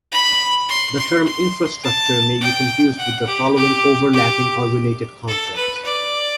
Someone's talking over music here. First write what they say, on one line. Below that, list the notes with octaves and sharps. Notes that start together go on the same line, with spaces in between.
The term "infrastructure" may be confused with the following overlapping or related concepts.
B5
C6
C6
C6
A5
G5
F#5
G4
G4
G4
A4
B4
D5